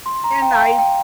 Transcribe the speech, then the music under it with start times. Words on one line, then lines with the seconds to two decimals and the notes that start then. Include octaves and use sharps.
and I
0.06 C6
0.24 A#5
0.42 G5
0.51 F5
0.60 G5
0.79 G5